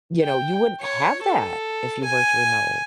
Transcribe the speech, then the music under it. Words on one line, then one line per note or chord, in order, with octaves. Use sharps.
y you know, you wouldn't have that if you worked remote,
G5
C#5
A4
G#5